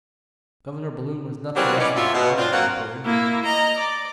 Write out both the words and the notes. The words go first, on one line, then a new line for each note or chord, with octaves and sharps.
Governor Balloon was nothing less than a father to the poor Indians.
E3 F#3 G3 A#3 C4 C#4
G3 C#4 D#4 B4 D5
G#2 C#4 F4 F#4 E5
B2
C4 D4 F4
F#3 A#3 C4 F4 F5 F#5
A#3 E4
D#5 A#5
D5